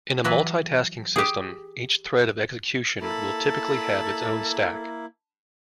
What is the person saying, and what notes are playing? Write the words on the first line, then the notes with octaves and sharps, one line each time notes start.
In a multitasking system, each thread of execution will typically have its own stack.
E3 F#3 B4
G4 G#4
A#3 E4 A4 A5 B5